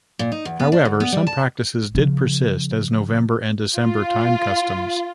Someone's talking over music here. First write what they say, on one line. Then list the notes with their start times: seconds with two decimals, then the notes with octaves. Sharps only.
However, some practices did persist as November and December time customs.
0.19 A#2
0.32 D#4
0.45 E2
0.60 B3
0.72 D4
0.85 D2
1.00 B3
1.12 G3
1.27 A5
1.95 C#3 F3
3.77 F4